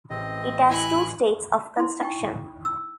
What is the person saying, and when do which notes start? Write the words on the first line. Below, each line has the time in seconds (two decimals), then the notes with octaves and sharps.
It has two states of construction.
0.10 A1 C4 D#5
0.69 E4 G#5 F#6
1.77 E4 C6
2.01 D#4 G5 C#6
2.65 E6